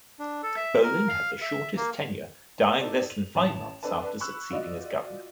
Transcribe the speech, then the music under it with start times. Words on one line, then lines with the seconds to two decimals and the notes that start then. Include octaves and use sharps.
Bolin had the shortest tenure, dying less than five months after succeeding as governor.
0.19 D4
0.43 A4
0.56 E5
0.83 A#4
1.09 F5
1.42 E5
1.77 A#3
2.81 D#4 A4 D5
3.10 F7
3.35 A1 A5 E7 F7
3.83 C4 D4 A4 B4 A5
4.20 B5 C#6 E6 F#6
4.51 F4 F#4 D5 D#5 F5